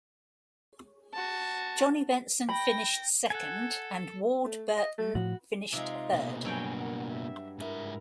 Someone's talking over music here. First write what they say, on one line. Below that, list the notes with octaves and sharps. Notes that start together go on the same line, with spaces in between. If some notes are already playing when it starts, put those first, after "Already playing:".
Johnny Benson finished second and Ward Burton finished third.
F#4 A5
G5 B5 A#6
A4 F#5 G#5
A3
D#5
A3
A2 F3 F#4
C3 G#3 D#4 F4
B2 A#3
G2 F#3 C#5 G5 G#5
A#4 F#5
E5
G#2 E4 A#4 E5